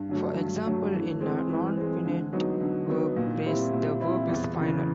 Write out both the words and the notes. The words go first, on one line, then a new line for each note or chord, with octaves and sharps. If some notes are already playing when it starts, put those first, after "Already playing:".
For example, in a nonfinite verb phrase the verb is final.
Already playing: G2
D3 F#3 A3
G2
D3 F#3 A3
E3
G#3 C4
E3
G#3 C4
D3
F#3 B3 D#4
D3
F#3 B3 D#4
A#2
G3 C4 E4
A#2
G3 C4 E4
E2
C#3 E3